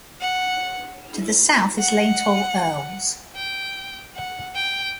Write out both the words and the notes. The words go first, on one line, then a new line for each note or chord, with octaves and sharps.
To the south is Leinthall Earls.
F#5
F#5
G5
F#5
G5